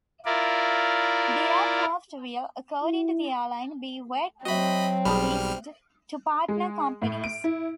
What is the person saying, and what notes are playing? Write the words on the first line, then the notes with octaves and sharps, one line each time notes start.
The aircraft will, according to the airline, be wet-leased to partner companies.
E4 F4 A#4 D5
E4
F#3 C4 F#4 D#5 E5 B5
B1 G3 G#4 A5 B5 F6
G#3
A2
D7
E4